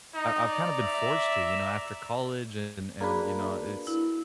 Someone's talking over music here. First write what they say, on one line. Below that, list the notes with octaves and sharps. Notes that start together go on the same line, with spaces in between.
I I've kinda been forced to, you know, after college and and, you know, it's,
D#4
D5 A#5
E5
A#3 D4 F#4 G#4 B4
E4